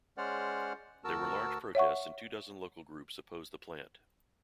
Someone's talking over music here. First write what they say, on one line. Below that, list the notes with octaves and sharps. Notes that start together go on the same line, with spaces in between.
There were large protests and two dozen local groups opposed the plant.
G#3 C#4 C5 D5 F#5 F6
D2 F#4 A#4 A5 E6
C#5 E5 F#5 C#6